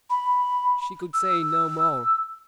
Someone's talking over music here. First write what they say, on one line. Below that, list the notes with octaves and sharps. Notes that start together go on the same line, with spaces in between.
She could say no more.
B5
E6